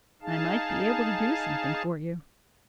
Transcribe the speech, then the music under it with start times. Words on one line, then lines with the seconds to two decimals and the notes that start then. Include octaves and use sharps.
'I might be able to do something for you.
0.22 D#4 G#4 F5 A5